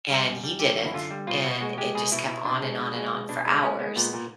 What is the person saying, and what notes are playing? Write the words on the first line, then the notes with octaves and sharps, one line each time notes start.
and he didn't, and it just kept on and on and on for hours,
G3
F#2
G3
D3 G4
F#2 F#4
E4
D3 F4
G3
B2 F4
B2 F#4
G#3 F#4
G#3 G4
B2 G#4
B2 E4
B2 E4
B2 D4
G#3
B2
G#3
B2
B2 D4
G#3 D4
G#3 C#4
G#3 B3
A#2 B3
A#2